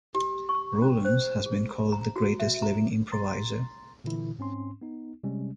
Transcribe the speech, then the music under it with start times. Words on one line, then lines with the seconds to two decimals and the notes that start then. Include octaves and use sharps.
Rollins has been called the greatest living improviser.
0.15 G4
0.49 C#6
0.82 C#4
1.05 C5
1.46 G#4
1.92 A#5
2.16 F#4
2.40 E5
2.62 A#5
3.12 A#5 C6 A6
4.04 A#2 D3 E3 E4
4.39 G#2 C4 C#4 C6
4.82 B3 D#4
5.24 C3 G3 G#3 C#4